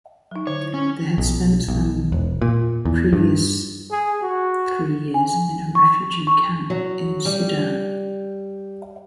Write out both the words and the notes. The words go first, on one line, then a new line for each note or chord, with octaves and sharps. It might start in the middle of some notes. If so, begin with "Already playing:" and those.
They had spent them previous three years in a refugee camp in Sudan.
F#3 D#4
D3 C#5
E4
C#4
B1
B1
E1
A#2
E2
G2
G#4
F#4
G#5
F3
C#6
C#6
F#3
G3